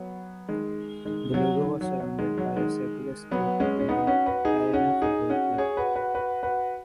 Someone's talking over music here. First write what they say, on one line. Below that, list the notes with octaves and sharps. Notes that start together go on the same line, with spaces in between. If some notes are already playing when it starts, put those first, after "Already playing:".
The logo was surrounded by a circular script reading, "Arena Football Club".
Already playing: F#3 B3
D#3 G#3
D#3 G#3
F#3
D#3
F#3
F#3
D#3 G#3
F#3
D#3 G#3
F#3 B3
G#3 C#4
C#4
B3 D#4
C#4 F#4
F#4 B4
D#4 G#4
C#4 F#4
D#4 G#4
C#4 F#4
G#4 C#5
F#4 B4
F#4 B4
F#4 B4
F#4 B4